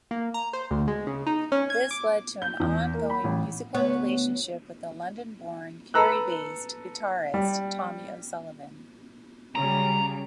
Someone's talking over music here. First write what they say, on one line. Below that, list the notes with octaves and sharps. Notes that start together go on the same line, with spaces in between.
This led to an ongoing musical relationship with the London-born, Kerry-based guitarist Tommy O'Sullivan.
A#3
A#5
C5
D2
G#3
C#3
D#4
C#4
G#6
D6
G6
E2
A#3
B5
A1
D2 B3 C#5
A4 B4 A#5 E6 F#6
G3
C#3 F#3 G3 A#5